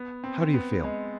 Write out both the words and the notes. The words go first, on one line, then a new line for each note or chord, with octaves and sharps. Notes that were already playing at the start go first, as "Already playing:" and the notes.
"How do you feel?"
Already playing: B3
C4
B3
G#3